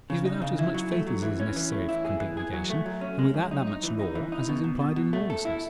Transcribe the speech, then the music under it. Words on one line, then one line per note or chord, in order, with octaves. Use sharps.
He's without as much faith as is necessary for complete negation, and without that much law as is implied in lawlessness.
C#3
D#4
C#3
E4
F#3
A3
F#3
E3
C#4
E3
A3
E4
G#4
E3
G#4
F#3
A3
F#3
C#4
G#3
F#2
D#4
D#4
E3
D#4
E3
D#4
B2
B2
B2
B2
A3
A4
E4